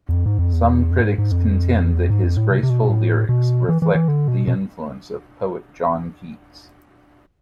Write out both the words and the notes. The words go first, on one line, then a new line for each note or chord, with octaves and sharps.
Some critics contend that his graceful lyrics reflect the influence of poet John Keats.
E2
F2
G#2
F2
E2
F2
A2
G#2
G#2
F2
E2
F2
G#2
F2
A2
C3
C3
B2
A2
B2
E3
E3
E3
D3
B2
B2